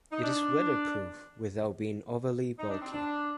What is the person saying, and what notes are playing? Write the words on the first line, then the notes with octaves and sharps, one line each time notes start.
It is weatherproof without being overly bulky.
D#4
D4
D#4
D4
C4
D4